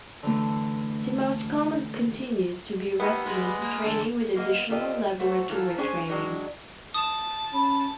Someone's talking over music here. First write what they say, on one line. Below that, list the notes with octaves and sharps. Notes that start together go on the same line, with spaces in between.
The most common continues to be residency training with additional laboratory training.
D3 E3 A3
D#2 B3 E5
G3 G#3 G#4 B4 D#5
A#3
E2 D3 D5 A5 E6
G#3 A#3 B3 A4 D#5
F4 G4 A4 D5 D#5
A3 F#4 C5
E3 F4 A4 A#4
C#4 D4 G#4 C5 G#5
D#3 F#3 G#3 D4
A5 D#6 E7
C#4 B5